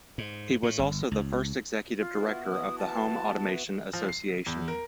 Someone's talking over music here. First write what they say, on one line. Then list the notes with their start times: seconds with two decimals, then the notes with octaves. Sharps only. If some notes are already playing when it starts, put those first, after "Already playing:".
He was also the first executive director of the Home Automation Association.
0.18 G#2
0.63 A2
0.79 G1
1.12 C#2
1.99 F4
2.15 B3 E4 F#4
2.51 D#6
2.78 A5
3.93 F3
4.09 C7
4.47 E2
4.68 A#4